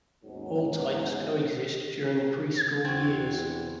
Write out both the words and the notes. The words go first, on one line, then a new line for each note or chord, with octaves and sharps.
All types coexist during the preschool years.
D#2 G#2 F#3 B3 C#4
E2 C4 F#4 G#6